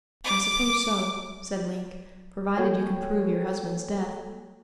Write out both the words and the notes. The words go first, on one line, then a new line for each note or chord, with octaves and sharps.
"I suppose so," said Link, "provided you can prove your husband's death."
D6
A#3 F#4 A4 C#5 G5 G#5